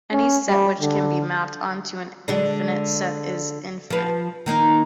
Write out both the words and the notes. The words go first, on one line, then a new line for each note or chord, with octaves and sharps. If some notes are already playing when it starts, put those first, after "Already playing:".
Any set which can be mapped onto an infinite set is infinite.
C#4
G3
D3
D3 G#3 D4
F3 B4
D#3 A#3 D#4